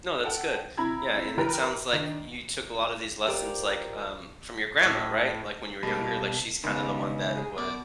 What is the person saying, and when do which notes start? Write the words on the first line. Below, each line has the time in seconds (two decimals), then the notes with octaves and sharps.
No, that's good. Yeah, and it sounds like you took a lot of these lessons, like, um, from your grandma, right, like, when you were younger, like, she's kinda the one that would
0.24 A4 F#5 G5
0.78 C3 E4 A#5 B5 G#6
1.37 E3 G4 A#4 B4
1.93 D#3 D4
3.27 F4 G4 A#4 C5 D5
4.83 A2
5.83 B2 G3 A#3
6.64 C#2 D#3 B3
7.35 G#3 G#4
7.58 B2 D5